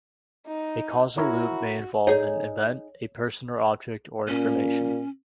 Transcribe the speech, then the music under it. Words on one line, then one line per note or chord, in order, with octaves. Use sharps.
A causal loop may involve an event, a person or object, or information.
D#4
E4 F#4 A#4 C#5
D#4 G#4 C#5
A#2 C#4